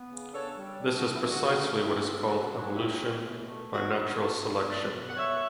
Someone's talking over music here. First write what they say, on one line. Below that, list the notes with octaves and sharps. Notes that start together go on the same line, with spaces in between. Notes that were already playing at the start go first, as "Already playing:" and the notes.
This is precisely what is called evolution by natural selection.
Already playing: B3
C#3
D4 A4 C#5
G3
D4
F#4
D3
E4
D3 F#4
A3
B3 E4 G4
C#3
D4 F#4 A4
F#3
C#4 E4 G4
B2
B2
A3
D4 F#4
B2
B2 F#4 A4
G3
B3 B4 D5
B2
F#5
B2 C#5 E5